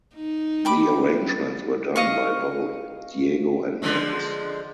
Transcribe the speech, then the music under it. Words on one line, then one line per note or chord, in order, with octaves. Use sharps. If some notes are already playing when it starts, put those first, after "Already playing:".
The arrangements were done by both Diego and Max.
D#4
G5 B5 D6
D#5 F5 C#6
D3 F3 G#3